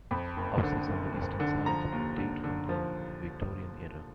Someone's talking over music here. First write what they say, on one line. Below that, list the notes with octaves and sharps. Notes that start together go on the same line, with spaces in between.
Houses on the eastern side date from the Victorian era.
F2 B5
F#1
D3
F#1
F#1
D3
F3 A#5
D#2
D3
D3
F3